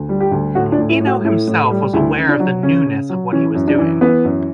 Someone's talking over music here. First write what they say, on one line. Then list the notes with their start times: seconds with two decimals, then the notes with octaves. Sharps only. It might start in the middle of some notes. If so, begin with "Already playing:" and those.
Eno himself was aware of the newness of what he was doing.
Already playing: D2
0.09 G3
0.20 G4
0.31 D2
0.55 A2 F#4
0.72 D4
0.78 A2
0.89 E4
1.00 A2
1.07 F#4
1.25 A2 E4
1.47 A2
1.71 G3
1.93 D2 E4
2.17 C#3
2.29 D4
2.40 F#3
2.63 C#3 C#4
2.86 C#3
3.09 F#3
3.32 E3 C#4
3.55 F#2
3.67 D4
3.79 E3
4.01 E3 B3
4.24 F#2